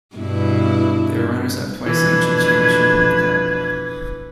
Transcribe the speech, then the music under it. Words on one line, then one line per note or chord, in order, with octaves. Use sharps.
They were Runners up twice each in the championship and in the cup.
G2 B2 E4
F2 B2 E3 D4 B4 G#6